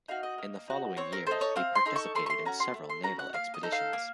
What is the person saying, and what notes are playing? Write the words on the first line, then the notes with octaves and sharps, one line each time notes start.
In the following years, he participated in several naval expeditions.
D#4 F#4 F5
D#5
A#3
D#4 F#4
C4 C#5
A#4
D#4 A4 C5
C#5
C4 F5
C6
D#4 A4
C#6
A3 C6
C#6
C6
C#4 F#4 A#5
C6
A3
C6
C#4 F#4 A#5
F#5
A#3 F5
D#5
D#4 A4
F5
A#3